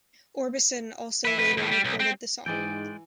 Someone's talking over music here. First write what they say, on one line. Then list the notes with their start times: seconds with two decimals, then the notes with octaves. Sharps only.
Orbison also later recorded the song.
1.25 B4 E5
1.38 F2 B4
1.57 D#2 A2
1.72 G3
1.85 B1
2.00 C4
2.46 G#2 E3 G#3 D5 G5